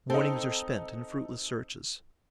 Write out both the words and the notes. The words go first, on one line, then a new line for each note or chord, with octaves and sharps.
Mornings are spent in fruitless searches.
C4 D#4 A4